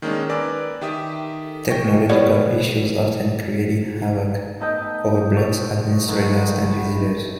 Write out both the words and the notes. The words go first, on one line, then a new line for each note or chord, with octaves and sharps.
Technological issues often created havoc for the blog's administrators and visitors.
D#3 G#3 A#3 C#4 D4
A#4 B4 D5 G#5 D6 E6
D#3 G4 E5 D#6
G5 C#6 A#6
G3 B3 C#5
A3 B3 D#4 A4 D#5 G5
A4 C5 C#5
D3 F#3 G#3 A3 D#4 B4 F#5 G5
D#4